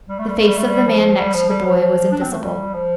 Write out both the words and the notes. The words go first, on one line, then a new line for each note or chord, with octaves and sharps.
The face of the man next to the boy was invisible.
G3
A3
G3
A3
G3
A3
G3
F3
G3
F3
G3
F3
D4
C4
A3
G3
F3